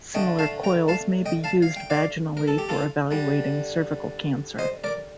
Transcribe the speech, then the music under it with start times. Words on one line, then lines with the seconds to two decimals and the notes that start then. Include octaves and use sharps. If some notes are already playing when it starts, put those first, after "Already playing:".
Similar coils may be used vaginally for evaluating cervical cancer.
0.14 D3 A3 D#5 G5
0.39 F5 A5
0.64 G5 A#5
0.88 F5 A5
1.26 D#5 G5
1.44 F5 A5
1.62 F5
1.76 G5
1.90 D5 F5
2.37 A#4
2.48 A4
2.58 G4
2.69 F4 A4
3.11 D3 G3
4.59 C5 D#5
4.84 A#4 D5